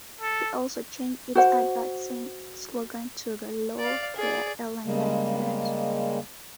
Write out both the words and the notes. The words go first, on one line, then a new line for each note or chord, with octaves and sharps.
It also changed its advertising slogan to "The Low Fare Airline That Cares".
A4
F#4 C5 F#5
D5 F5
G#4 D5
C#3 G3 G#3 A#3